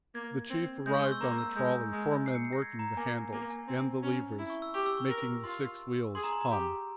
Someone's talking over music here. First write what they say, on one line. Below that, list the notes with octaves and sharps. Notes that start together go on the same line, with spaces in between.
The Chief arrived on a trolley, four men working the handles and the levers making the six wheels hum.
A#3 G#6
C4
G#3 G6
C6
C#6
E6
A#3 A#5
E6
G#3 G6
G#3
C7
C#7
C7
A#6
G#6
A#5
A#3 G#5
A#3 G#5
G#5
C4
C#4
E4
C#6
E6
G4 C#6
E6
C#6
A#4
F4 C6
G#4 C6
A#5
C6
A#5
G4